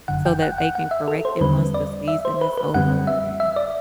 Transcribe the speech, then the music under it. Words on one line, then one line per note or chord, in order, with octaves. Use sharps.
so that they can correct it once the season is over, and
G1 F#2 D3 F#5
G5
F#5
F#5
F#5
E5
A4
C5
E2 D3 G3 C4 B4
D5
E5
C5
B4
B4
F#2 D3 G3 C4 F#5
E5
E5
D5